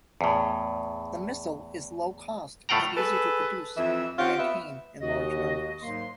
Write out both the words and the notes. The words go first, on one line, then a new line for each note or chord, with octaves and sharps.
The missile is low cost and easy to produce and maintain in large numbers.
E2 A2
A2 A3 F4 F#5 G5 A#5
G#4 A4 B4
F2 E3 E4 E5
C4 C#4 F4 G4 F#5
B3 E5
D#2 F#4 D#5
G#2 F#3 A#3 C6